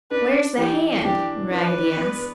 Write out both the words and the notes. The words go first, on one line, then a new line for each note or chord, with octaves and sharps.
"Where's the hand?" Raggedy asked.
D4 B4
E3 G4
D4 G4
D4 B4
B3